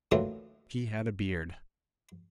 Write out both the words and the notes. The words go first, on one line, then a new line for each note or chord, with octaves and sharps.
She had a beard.
D3 E3 F#3 A3 A#3 F4